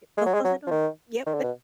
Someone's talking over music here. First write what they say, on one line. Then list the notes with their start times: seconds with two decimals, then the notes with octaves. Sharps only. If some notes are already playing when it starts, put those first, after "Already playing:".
Ye "Go close that door." Yep.
0.18 G#3
0.26 F#3
0.34 G#3
0.44 F#3
0.67 F3
0.71 D#3
1.26 D#3
1.34 D3
1.43 B2